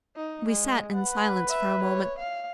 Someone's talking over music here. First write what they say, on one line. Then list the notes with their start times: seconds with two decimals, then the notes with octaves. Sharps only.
We sat in silence for a moment.
0.16 D#4
0.49 G#3
0.94 B4 F#5
1.49 E5
1.84 C#5
2.19 F5